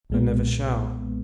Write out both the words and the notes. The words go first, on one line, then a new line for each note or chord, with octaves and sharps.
"I never shall."
B1 A#2 G#3 B3